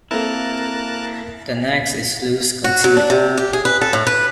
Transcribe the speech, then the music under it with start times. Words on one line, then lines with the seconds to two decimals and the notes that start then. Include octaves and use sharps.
The next is loose continuity.
0.11 A#3 C4 E4 A4 A#4 A5 F#6
2.64 F#4
2.84 F#3
2.97 D4
3.10 C3
3.37 G4
3.53 G#4
3.65 B4
3.81 A4
3.93 A2
4.07 B4